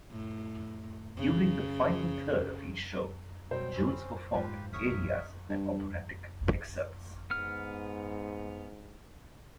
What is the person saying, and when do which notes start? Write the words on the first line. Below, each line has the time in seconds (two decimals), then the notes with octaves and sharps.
During the final third of each show, Jones performed arias and operatic excerpts.
0.10 A2
1.17 C#3
3.51 B2 F#3 G3 C5 G5
3.74 C4 C#4 G#5 B5
4.34 G#2 F4 G4 B4
4.73 A#1 F#2 A#4 C#5 E5 C#6 D#6 B6
5.49 G2
7.30 G#2 B3 F6